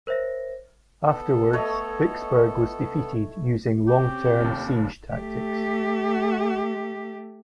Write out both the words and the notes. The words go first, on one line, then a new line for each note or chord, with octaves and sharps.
Afterwards Vicksburg was defeated using long term siege tactics.
A#4 C5 C#5 E5 A#6
B3 A4
A3 C#5 D#5
C4 C#4 G4
F1 D#2
A3 G4